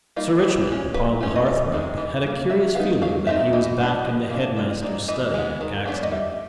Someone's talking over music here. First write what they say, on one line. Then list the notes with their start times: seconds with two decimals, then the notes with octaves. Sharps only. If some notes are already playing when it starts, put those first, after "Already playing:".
Sir Richmond, upon the hearthrug, had a curious feeling that he was back in the head master's study at Caxton.
0.16 G3 A#3 D#4 F4
0.43 E3
0.69 G#3 C#4
0.94 F#3 B4
1.20 A3 C#4
1.36 D#5
1.46 E3 D5
1.72 G#3 C4 D#4
1.98 E3
2.23 G3 A#3
2.50 F#3 E5
2.75 B3 D#4 F5
3.02 F#3 F5
3.27 A3 C4 D#4 E5
3.53 E3 D#5
3.66 D#5
3.79 G#3 B3 D4
4.04 F3 D#5
4.30 A#3 D4
4.56 G#3 D5
4.70 D#5
4.83 C4 D#4 D5
5.08 E3 D#5
5.34 G#3 B3
5.61 D#3
5.86 F#3 B3 D4
5.94 D5
6.03 D#5
6.11 G3 E5